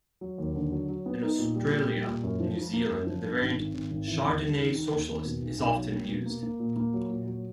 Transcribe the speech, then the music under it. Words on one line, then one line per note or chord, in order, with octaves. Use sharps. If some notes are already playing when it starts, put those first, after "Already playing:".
In Australia and New Zealand, the variant "Chardonnay socialist" is often used.
F#3
D#2
D3
F#3
F#3
B3
D#4
A#2
G3
A#2
G3
A#2
F#2
F3
F3
A#3
F#2
F3
G2
G#1
G#1
G#1
G#1
E3
D#2
G3
D#3
D#3
D#2
D#2
B2
B1
B1
F#3
A#3
B2
A#3
A#3
A#2
A#3
F#3
A#2
F#3